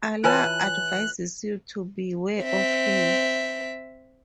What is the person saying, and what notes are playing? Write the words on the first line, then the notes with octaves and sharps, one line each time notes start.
Allah advises you to beware of Him.
E3 F4 B4 C#5 G#5 A5 F#6
C4 E5